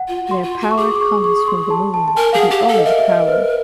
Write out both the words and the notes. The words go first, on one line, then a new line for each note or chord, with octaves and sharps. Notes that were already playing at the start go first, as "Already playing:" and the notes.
Their Power comes from the Moon, the Old Power.
Already playing: F#5
F4
F#4 C6
F4
F#4
C#6
G#4 D6
D6
C#6
C#6
C6
A5
A5
A5
A#4 G#5
G#4 F5
F#5
G4
F5
A4
D#5
A#4 E5
E5
D#5
B4
C5